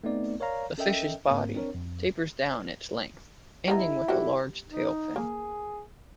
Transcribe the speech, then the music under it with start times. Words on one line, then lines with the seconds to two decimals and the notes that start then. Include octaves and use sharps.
The fish's body tapers down its length, ending with a large tail fin.
0.04 A3 B3 C4 D#4 D5
0.40 A#4 C#5 D5 F5 A#5
0.78 C#4 A4 A#4 D#5 E5 G5
1.28 G#2 A#3 C4 A#4
1.55 C4 D4 A#4 C#5
1.75 F2
3.68 G3 B3 D#4 E4
4.08 G3 F#4 G4
4.69 D#4
5.16 A#3 G#4